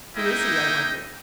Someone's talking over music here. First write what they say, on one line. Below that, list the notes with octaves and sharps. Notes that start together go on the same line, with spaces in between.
"Who is he, I wonder?"
A#3 D#4 E4 D#5 G5